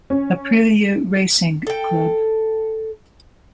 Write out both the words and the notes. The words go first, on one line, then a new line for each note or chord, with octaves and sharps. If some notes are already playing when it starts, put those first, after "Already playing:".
Aprilia Racing Club.
C#4
A4 G5